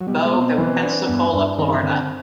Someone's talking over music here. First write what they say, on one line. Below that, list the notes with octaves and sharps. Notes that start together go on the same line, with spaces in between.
Bogue of Pensacola, Florida.
F#3
B2 G3
G#3
B2
C4
E3 C4
D4
G2 B3
G2
D#3 C4
D3 C4